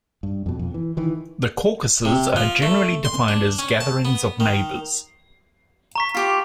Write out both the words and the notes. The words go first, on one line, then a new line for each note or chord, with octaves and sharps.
The caucuses are generally defined as gatherings of neighbors.
G2
F2 B2
F2
E3
D#3 E3
C3
F3
A3
C6
D4
C#4
A5
B3
D#3
A#5 C#6 B6
F4 G4 D6